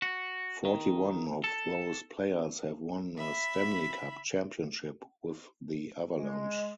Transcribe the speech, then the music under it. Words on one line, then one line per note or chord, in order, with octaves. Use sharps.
Forty-one of those players have won a Stanley Cup championship with the Avalanche.
F#4
D#3
A4
E5 B5
G#3